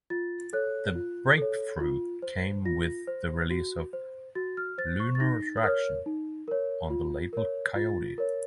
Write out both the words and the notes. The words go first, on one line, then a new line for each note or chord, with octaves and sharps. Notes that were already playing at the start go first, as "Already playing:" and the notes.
The breakthrough came with the release 'Lunar Attraction' on the label Koyote.
F4 A6
A4 C#5 F#6
F4
A4 C#5
F4
C5
F4 A#6
C5
F#4
C5
F#4 A6
F6
C5 A6
C#6
A6
D#4 A#6
A6
D#6
A#4 C#5 F6
D#4
A#4 C#5
F4
A#4 C#5
F4 A6
A#4 C#5